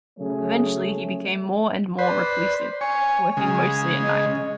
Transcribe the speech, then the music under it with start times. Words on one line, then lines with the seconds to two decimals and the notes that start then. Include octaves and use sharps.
Eventually he became more and more reclusive, working mostly at night.
0.19 C#3 F#3 A3 G#4 C#5
1.99 B4 C5 D5
2.81 C#5 G#5
3.37 C#3 G#3
4.02 D#5